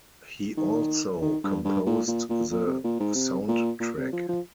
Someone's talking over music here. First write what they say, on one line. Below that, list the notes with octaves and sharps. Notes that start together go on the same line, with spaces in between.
He also composed the soundtrack.
D#3
D#3
G2
G2
A#2
A#2
A#2
A#2
C3
A#2
G#2
C3
A#2
A#2
C3
F3
F3